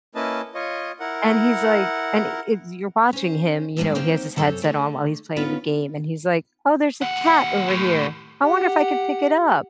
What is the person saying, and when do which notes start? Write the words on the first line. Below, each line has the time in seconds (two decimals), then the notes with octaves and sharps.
and he's, like, and it's you're watching him, you know, he has his headset on while he's playing the game, and he's like, "Oh, there's a cat over here. I wonder if I could pick it up,"
0.15 A#3 C#4 E4 B4 D#5 A5
0.55 F4 C#5 D#5
1.00 E4 A#4 F#5
3.13 C#4 C5
3.77 E2 G2 G3 G#3 B3 D4
3.95 A#3 C4 C#4 D#4 C5 G5
4.36 F#2 C3 D#3 A4 C5 C#5
4.62 D3 A3
5.36 D#3 B3 C#4 F4 B4
7.02 D#2 F#5
7.68 D#2 A2
8.43 G4 F#5